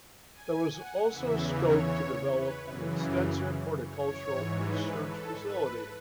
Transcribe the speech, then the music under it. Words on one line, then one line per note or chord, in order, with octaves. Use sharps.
There was also scope to develop an extensive horticultural research facility.
G#5
F#5
E2 C#3 E3 E5
C#5
B4
F#2 C#3 E3
C#5
G#2
E3
B4
A4
B4